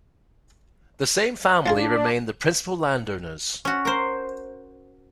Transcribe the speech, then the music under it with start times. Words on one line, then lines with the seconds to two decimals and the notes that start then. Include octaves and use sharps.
The same family remain the principal landowners.
1.66 F3 D4 F4 G#4
3.65 C#4 F#4
3.85 A#4 C5